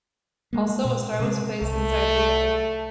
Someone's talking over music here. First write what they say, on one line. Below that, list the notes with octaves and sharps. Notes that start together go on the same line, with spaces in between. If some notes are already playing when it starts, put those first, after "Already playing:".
Also, a star was placed inside the "A".
G#3 A#3
A#2
C3 G#3
C2 A3